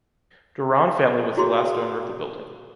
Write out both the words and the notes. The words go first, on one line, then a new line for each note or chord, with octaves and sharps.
Duran family was the last owner of the building.
E4 F#4 G#4 C#5 A#5 C6